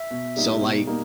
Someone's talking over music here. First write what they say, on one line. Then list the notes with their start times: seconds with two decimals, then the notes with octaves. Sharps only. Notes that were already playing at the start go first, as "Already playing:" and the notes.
So, like
Already playing: E5
0.11 B2
0.36 G3 A#3 D#4
0.61 B2
0.87 G3 A#3 D#4